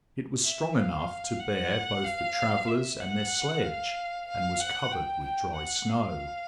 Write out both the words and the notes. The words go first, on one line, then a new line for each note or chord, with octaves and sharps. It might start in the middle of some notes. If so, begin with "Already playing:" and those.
It was strong enough to bear both the travellers and their sledge, and was covered with dry snow.
E5
F5
F#5
F5
E5
F#5
F5
F5
F#5
G5
G5
F#5
F5